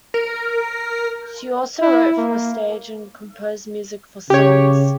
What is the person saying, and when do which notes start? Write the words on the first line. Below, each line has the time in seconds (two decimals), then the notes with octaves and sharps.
She also wrote for the stage, and composed music for songs.
0.14 A#4
1.81 E4
2.17 A#3
4.30 C#3 G4 C#5